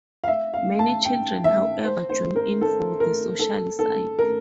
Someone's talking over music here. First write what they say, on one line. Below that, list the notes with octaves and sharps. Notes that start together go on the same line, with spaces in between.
Many children however join in for the social side.
F5
E5
F5
A5
G5
E5
C5
C5
A#4
A4
A#4
A4
A4
A#4